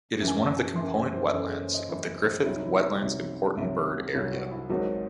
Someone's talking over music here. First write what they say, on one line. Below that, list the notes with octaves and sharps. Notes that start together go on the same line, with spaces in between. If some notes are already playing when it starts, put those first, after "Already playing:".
It is one of the component wetlands of the Griffith Wetlands Important Bird Area.
F#1 F#2 E3
G#5
A5
G#5
F#1 F#2 E3 C6
G#5
C5
F#1 F#2 E3 A4
G#4
C#5
D#5
F#1 F#2 E3 E4
C2 C3 F#3 E4
D#4
E4
C2 C3 F#3 D#4
C2 C3 F#3
C2 C3 F#3 E4
F#4
E4
G#1 G#2 F#3 F#4